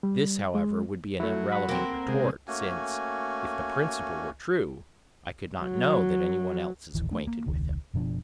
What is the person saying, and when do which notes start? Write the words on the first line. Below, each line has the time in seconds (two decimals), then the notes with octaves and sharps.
This, however, would be an irrelevant retort, since, if the principle were true, I could not know that any one else is acquainted with him.
0.03 G3
0.55 G#3
1.20 F#3 A3 E4
1.52 F#5 B5
1.69 A#3 C4
2.08 C3 G#3
2.47 A3 A#3 C#4 F#4 G#5
5.61 F#3
6.94 D#1 A1 D#3 E3
7.11 A3 D4
7.27 A#3
7.46 E1 C#2 D#3
7.94 F#1 B2 F3 D4